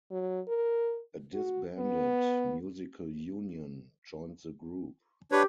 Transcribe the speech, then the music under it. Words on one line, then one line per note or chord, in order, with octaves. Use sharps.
A disbanded Musical Union joined the group.
F#3
A#4
F#4
B3
D4 G4 B4 C#5